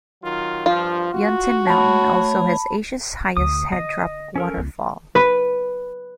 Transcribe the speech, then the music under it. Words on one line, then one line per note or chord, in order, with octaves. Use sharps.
Yuntain Mountain also has Asia's highest head drop waterfall.
D#3 F#3 F4
G2 F3 F4
F#4
A3 C#5 A5 B5
D2 D#6
D3 D#5
C#4 A4 A#4
C#2 F4
B4